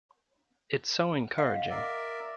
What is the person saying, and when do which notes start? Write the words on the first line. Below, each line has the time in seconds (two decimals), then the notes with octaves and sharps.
It’s so encouraging.
1.38 D#5 F5 F#5
1.70 A#4 D5 E5